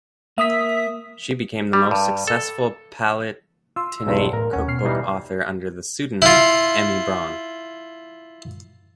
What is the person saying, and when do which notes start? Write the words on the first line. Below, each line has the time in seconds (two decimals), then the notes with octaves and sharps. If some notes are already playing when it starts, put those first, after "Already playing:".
She became the most successful Palatinate cookbook author under the pseudonym "Emmy Braun".
0.38 A#3 E5 D#6 B6
1.73 G3
1.91 G2
2.28 A4
3.76 F4 C6 E6
4.07 B1 E2 G2
4.33 A2 A#4
4.53 D#2 C#4 F#5
4.68 B2 F6 C7
4.85 E3 G3 D#4
6.22 E4 F4